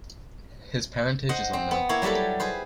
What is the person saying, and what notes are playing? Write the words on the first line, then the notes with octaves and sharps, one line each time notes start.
His parentage is unknown.
C5 D#5 F#5
C4
B3
A#3 E4 C#5
F#3 G3 G4 A4 B4
G#4 B4 C5